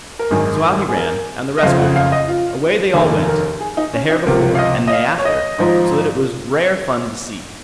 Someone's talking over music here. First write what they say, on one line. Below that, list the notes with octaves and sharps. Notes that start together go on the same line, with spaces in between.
So out he ran, and the rest with him--away they all went, the hare before, and they after; so that it was rare fun to see.
A#4
G#1 F#2 D#3 G#4
G#4
A#4
D#5
F#1 F2 C#3 F3 F5
F#5
F5
D#5
F4
F1 D#2 D#3 G#4
A#4
G#4
D#4
C#4
D#4
C#2 C3 F3 A#4
F5
D#5
D#5
F5
C#5
D#5
G#1 G#2 F3